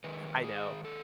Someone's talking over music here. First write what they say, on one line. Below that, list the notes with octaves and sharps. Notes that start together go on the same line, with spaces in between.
I know.
D#3 G#3 B4
G#4
A4